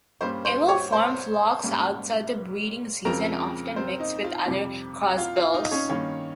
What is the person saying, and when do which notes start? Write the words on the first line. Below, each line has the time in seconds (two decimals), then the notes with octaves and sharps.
It will form flocks outside the breeding season, often mixed with other crossbills.
0.21 G2 G3 A#3 C#4 C5 C6
0.45 C5 C6
0.68 C#5 C#6
0.92 C5 C6
1.63 G#2 G3 A#3 C#4
3.05 F2 C#3 F3 G#3 C4 A#4 A#5
3.76 C4 C5
4.00 D#4 D#5
4.24 F4 F5
4.47 F2 C3 G3
5.18 F4 F5
5.36 F4 F5
5.54 D#4 D#5
5.71 C#4 C#5
5.89 G2 D#3 A#3 C#4 C#5